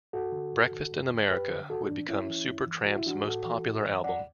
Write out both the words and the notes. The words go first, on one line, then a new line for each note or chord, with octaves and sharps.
"Breakfast in America" would become Supertramp's most popular album.
G2 F#4 A4
D3
G2
D3
F#2
D3
F#2 G4 B4
D3
G2 F#4 A4
E3 D4
G2 C#4 E4
E3
G2
E3
G2 F#4
E4
E3 D4 F#4
A2 F#4 A4
E3
A2
E3
E2 D5 F#5